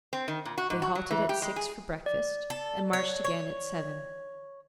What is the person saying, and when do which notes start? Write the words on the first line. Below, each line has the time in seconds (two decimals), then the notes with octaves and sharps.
They halted at six for breakfast and marched again at seven.
0.13 C4
0.28 D#3
0.45 A#2
0.58 F#4
0.70 G#2
0.82 F#4
0.95 F#3
1.11 E3
1.29 G4
1.42 G#3
1.56 G#4
2.06 D5
2.50 A4
2.93 C#5
3.24 C#5